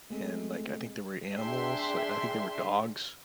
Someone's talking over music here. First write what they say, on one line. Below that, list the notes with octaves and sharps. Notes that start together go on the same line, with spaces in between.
and, like, I think there were animals, like, I think there were dogs,
G#3 A3 C4
D4 G#4 E5 G5 C6